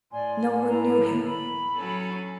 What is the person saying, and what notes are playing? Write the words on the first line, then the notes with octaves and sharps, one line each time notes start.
No one knew him.
A2 D5 G#5 C6
E4 A#5
B5
F#3 C#4 A4